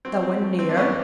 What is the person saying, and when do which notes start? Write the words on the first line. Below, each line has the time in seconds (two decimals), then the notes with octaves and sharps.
No one near.
0.05 F#3 C4
0.23 C4
0.41 A3
0.59 C4
0.69 D4
0.77 E2 B3 C#4